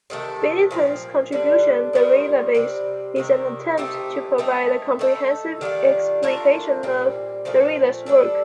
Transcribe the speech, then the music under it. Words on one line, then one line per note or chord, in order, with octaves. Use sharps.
Bennington's contribution, "Derridabase", is an attempt to provide a comprehensive explication of Derrida's work.
C3 D#3 A3
A#2 F3 C4
D3 G3 D4
D#3 G3 A#3 F4
C3 G3 C4
C3 D#3 A#3
A3 C4 D#4 G4
A3 C4 D#4
A3 D#4 A4
D#3 G3 D4 F4
A3 D4 F4 A#4
A#2 G3 C4
A#2 F3 A3 C4
G3 D4 A4